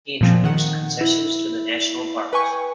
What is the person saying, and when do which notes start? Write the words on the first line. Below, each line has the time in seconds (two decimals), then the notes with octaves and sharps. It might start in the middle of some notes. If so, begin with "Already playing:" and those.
He introduced concessions to the national parks.
0.21 A#2 F3 C4
0.44 D#3 F#5
1.01 E4
2.33 B4 G5 G#5 C#6